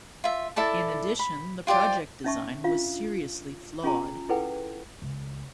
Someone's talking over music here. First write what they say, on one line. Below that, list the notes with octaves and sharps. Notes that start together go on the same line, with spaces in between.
In addition the project design was seriously flawed.
F4 E5
E4 A4 D5 A5
B5
F4 G4 C5 D5
C#4 D#4 E5 A5 C#6
D4 F4 F5
C#4 F4 G#4 G#5 A#5
E4 G#4 A4 B4 F#5 G5
C#2